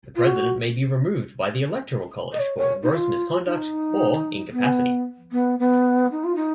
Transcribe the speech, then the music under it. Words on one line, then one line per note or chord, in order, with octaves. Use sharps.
The President may be removed by the electoral college for gross misconduct or incapacity.
F4
F#4
D#5
C#5
C#5
D#4
F4
D#4
B3
B3
B3
D#4
F4
D#4